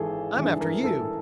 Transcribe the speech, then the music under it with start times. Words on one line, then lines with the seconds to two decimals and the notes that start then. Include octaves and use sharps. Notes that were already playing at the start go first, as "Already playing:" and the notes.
"I'm after you."
Already playing: G#1 E3 G#4 A4
0.36 G#1 G2 E3
0.61 A#4
0.84 A4